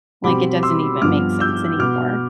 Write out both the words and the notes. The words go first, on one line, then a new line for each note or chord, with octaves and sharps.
Like, it doesn't even make sense anymore."
B2 G3 C4 B5 D6
C6 E6
G2 F3 B3 D6 F6
E6 G6
B2 B3 D6 F6